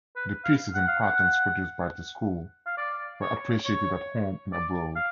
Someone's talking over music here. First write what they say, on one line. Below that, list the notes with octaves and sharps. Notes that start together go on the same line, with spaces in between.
The pieces and patterns produced by the school were appreciated at home and abroad.
B4
F5
F#5
F5
F#5
F5
D5
C#5
C#5
D5
F5